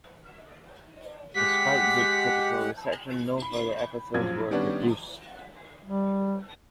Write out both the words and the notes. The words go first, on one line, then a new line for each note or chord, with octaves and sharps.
Despite good critical reception, no further episodes were produced.
G#3 G4 F#5 B6
B5
A#1 F#2 A#2 F3 G#6
D#3 G3 B3 C#4 D4
G3